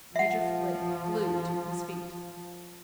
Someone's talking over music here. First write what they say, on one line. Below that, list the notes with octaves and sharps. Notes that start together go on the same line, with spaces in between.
Major Flint flew to his feet.
F3 E5 F#5